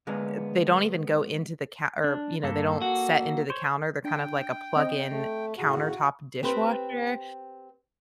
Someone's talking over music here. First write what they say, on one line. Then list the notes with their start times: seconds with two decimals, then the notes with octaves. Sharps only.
eh, they don't even go into the ca or, you know, they don't set into the counter. They're kind of like a plug in countertop dishwasher.
0.07 D3 G#3 A#3 B3
2.04 D4
2.44 G2 A#3 A4
2.82 F#4
3.50 C5 C#5
4.05 D4 G5
4.76 C4 D#5
5.10 A3
5.57 A2 C#3 F#4
6.43 C4 G4 B4 C5